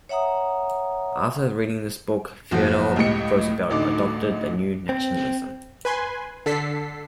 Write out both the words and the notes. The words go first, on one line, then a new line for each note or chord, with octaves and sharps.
After reading this book, Theodore Roosevelt adopted the New Nationalism.
C#5 E5 F#5 A#5 D#6
F#1 F3 F#4
C#2 A2 G4 D#5 C#7
A1 D2 D3 D#4 D6
C4
B4 G#5 C6
D3 A4 B6 C7